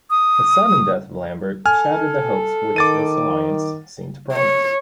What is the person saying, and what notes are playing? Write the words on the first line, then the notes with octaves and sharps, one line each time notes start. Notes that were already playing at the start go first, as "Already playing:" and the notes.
The sudden death of Lambert shattered the hopes which this alliance seemed to promise.
D#6
A4 G#5 F6
D#3 D6 A6 D#7
C#5